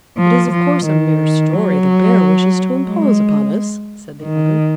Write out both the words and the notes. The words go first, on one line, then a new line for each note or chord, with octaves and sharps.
"It is, of course, a mere story; the Bear wishes to impose upon us," said the other.
F3
F3
D#3
F#3
G#3
D#3